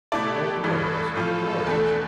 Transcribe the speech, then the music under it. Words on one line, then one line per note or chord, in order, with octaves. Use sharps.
Oh, glorious, glorious!
B2 A3 E4 G4 A4 D5
A1 G2 E3 A4
A2 F3 C4 F4 A4
E2 B2 A3 D4